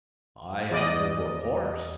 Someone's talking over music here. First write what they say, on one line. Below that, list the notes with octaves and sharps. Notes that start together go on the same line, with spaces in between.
"I had her for a horse."
E2 D5 D#5